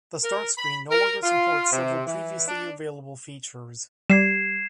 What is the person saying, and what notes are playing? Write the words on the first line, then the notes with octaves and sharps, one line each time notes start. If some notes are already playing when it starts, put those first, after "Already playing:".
The Start screen no longer supports several previously available features.
A#4
B5
A#4
F4
C3
E3
D4
G3 G#6 C7 E7